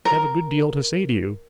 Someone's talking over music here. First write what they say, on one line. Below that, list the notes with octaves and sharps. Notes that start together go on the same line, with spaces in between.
I have a good deal to say to you.'
A#4